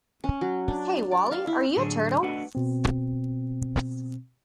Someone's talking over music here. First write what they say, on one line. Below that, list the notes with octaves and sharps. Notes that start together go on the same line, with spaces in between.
Hey, Wally, are you a turtle?
C#4
F#3
D4
D5
F5
E4
A2 D3 F#3 D4 G#4
A3 D4 F#4 B4 D#5 F#5
B2 C4